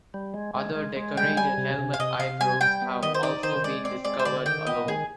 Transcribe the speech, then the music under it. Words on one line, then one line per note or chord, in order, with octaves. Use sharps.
Other decorated helmet eyebrows have also been discovered alone.
G3
G#3
G#3
G#3
G#3
G3 G5
G3 G#5
C3
C3
F5
C3 D#5
C3 F5
G3 G#5
G3 G5
B3
D#3 D#5
C5
D#4 D5
D#3 C5
G#3 D5
C4 D5
G#3 D5
C5
D3 D5
D#3 G5
B3 D#5
D#3 G#4